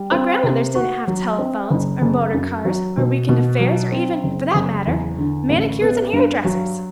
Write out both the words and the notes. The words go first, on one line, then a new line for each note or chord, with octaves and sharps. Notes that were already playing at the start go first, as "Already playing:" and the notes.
Our grandmothers didn't have telephones, or motor-cars, or week-end affairs, or even--for that matter--manicures and hair-dressers!
Already playing: G3
C4
C3
F#4
F#3
C4
F#1
F#1
F#2
F#3
B2
B2
F#3
C4
F#1
F#1
E2
D3
A1
B3
G2
F#3